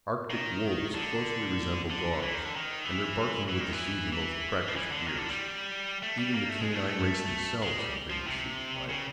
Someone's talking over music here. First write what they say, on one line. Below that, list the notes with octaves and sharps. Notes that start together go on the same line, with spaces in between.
Arctic wolves closely resemble dogs, and their barking would deceive the most practised ears; even the canine race themselves have been deceived by it.
D#3
D3
D3
E3
D#3
D3
D#3
E3
E3
D#3
E3
E3
F3
E3
D3
D#3
D3
G3
A3
G3
A#3
A3
G#3
A3
G#3
G3
F3
C3
C#3